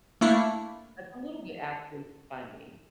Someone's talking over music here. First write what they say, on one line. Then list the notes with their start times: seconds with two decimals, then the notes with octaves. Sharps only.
That's a little bit actually funny.
0.21 A3 A#3 D4 E4